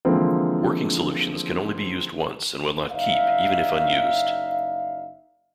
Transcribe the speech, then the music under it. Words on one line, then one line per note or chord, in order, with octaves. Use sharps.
Working solutions can only be used once and will not keep even if unused.
D3 E3 F3 G#3 A#3 C4
F#1 D#4 D5 E5 F5